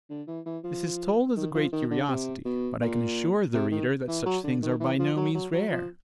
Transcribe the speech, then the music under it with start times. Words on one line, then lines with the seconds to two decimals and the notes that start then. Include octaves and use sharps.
This is told as a great curiosity; but I can assure the reader that such things are by no means rare.
0.10 D3
0.27 E3
0.46 E3
0.64 F3
1.37 D#3
1.54 F3
1.72 D#3
1.91 D3
2.09 C3
2.45 B2
2.81 A#2
3.54 C3
3.71 D#3
4.08 E3
4.26 F#3
4.44 D3
4.62 D#3
4.80 E3
4.99 F3
5.16 F#3
5.35 F#3
5.53 F#3
5.71 F3